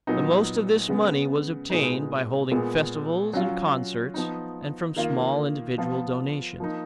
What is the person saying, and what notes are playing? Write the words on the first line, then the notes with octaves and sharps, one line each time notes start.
The most of this money was obtained by holding festivals and concerts, and from small individual donations.
A#2 F#3 B3 D#4
C#3 G#3 B3
A#2 G#3 B3 D#4
A#2 G#3 B3
F#3 C#4 F4
F3 B3 D#4
D#3 A#3 F4
F3 B3 F4
F3 A#3 D#4